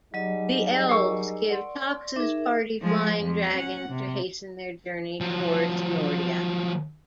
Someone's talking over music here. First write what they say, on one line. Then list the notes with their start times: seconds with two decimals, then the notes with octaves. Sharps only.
The elves give Toxa's party flying dragons to hasten their journey towards Nordia.
0.14 F#3 G3 D#4 G#4 D#5
0.89 A#4 C#6 E6 C7
1.49 D5 F#5 C6
2.16 D#4 G#4 A#4 E5 D6
2.82 F3 G#3
3.21 F2 F3
3.53 C#4 F#5
3.89 C3
5.21 F3 F#3